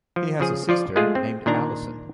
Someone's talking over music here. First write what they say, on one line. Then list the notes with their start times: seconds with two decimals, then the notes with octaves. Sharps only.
He has a sister named Allison.
0.16 F3
0.40 C#3 F3 G#4
0.69 F3 F4 D5
0.96 G#3 A3 F4 G#4
1.15 C4
1.46 A#2 D#3 D4 A#5